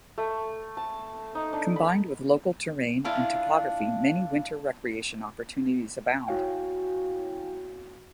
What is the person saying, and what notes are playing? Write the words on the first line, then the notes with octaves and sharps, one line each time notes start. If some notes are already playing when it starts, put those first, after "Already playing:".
Combined with local Terrain and Topography many Winter Recreation opportunities abound.
A3
A5
D#4
D4
B5
D4 E4 F4
E4 F#4 C#5 F5 G5 G#5